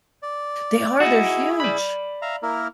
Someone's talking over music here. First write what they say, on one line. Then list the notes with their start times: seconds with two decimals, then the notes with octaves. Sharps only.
They are, they're huge.
0.22 D5
1.00 D#4 E4 F#4 G#4
1.60 D5 B5
2.22 E5 F5 A#5
2.43 A#3 E4 A#4